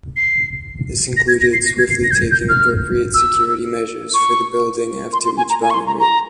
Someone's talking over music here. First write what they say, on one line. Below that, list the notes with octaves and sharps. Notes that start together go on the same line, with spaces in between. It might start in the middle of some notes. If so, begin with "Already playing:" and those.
This included swiftly taking appropriate security measures for the building after each bombing raid.
C7
A#6
G#6
A#6
C7
A#6
G#6
C7
A#6
G6
G#6
G6
F6
E6
C#6
C6
C6
G#5
A#5
G#5
C#6
C6
A#5
A#5